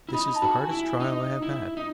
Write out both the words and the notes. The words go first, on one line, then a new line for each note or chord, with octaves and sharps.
'This is the hardest trial I have had.
E4
D#4 B5
A5
F#4
G#5
E4
D#4
E4
D#4